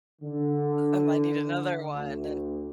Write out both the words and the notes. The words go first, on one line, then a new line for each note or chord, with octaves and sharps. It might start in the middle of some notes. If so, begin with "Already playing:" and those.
I might need another one then."
D3
D2